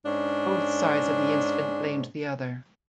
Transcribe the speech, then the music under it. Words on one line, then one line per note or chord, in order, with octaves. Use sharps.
Both sides of the incident blamed the other.
G#2 C#4 D4